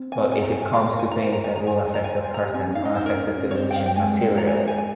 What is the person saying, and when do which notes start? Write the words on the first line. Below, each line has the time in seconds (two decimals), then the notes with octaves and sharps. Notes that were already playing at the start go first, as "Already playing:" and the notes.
but if it comes to things that will affect a person, or affect the situation materially,
Already playing: C4
0.12 G#5
0.32 G#5
0.42 A#5
0.52 G#5
0.62 G#5
0.73 F4 F5
0.85 A#4 F5
0.99 G#5
1.11 A#4 A#5
1.22 A#4 G#5
1.33 A#4 A#5
1.44 A#4 G#5
1.54 G#4 A#5
1.67 G#5
1.94 A#5
2.02 C5 G#5
2.12 A#4
2.20 C5 G#5
2.34 A#4 A#5
2.45 G4
2.54 C4 G#5
2.65 C#4
2.75 D#4 F5
2.82 C#4
2.85 D#5
2.90 D#4 C5
3.06 A#4
3.15 C#4
3.25 D#4
3.36 C#4
3.46 C4 C#5
3.55 C5
3.71 G5
3.76 F5
3.86 G5
3.96 G#3 G#5
4.38 A#5
4.47 G#5
4.57 A#5
4.68 G#5
4.78 G#5